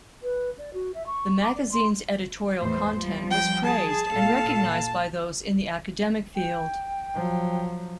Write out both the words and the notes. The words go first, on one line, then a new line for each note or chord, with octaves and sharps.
The magazine's editorial content was praised and recognized by those in the academic field.
B4
D5
F#4
E5
C#6
D6
D5
C6
E2 A2 C5
F3 G3
G5
G#4 A5
A#2 A4 F5
G5
F3 F#3